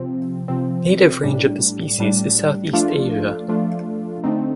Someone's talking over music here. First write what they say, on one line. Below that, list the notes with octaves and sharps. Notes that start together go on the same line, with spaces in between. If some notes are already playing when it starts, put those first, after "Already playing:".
Native range of the species is South east Asia.
Already playing: C3 F3 C4
C3 F3 C4
A2 G3 D4
A2 G3 D4
F3 A3 D4 F4
F3 A3 D4 F4
D3 A3 C4 D#4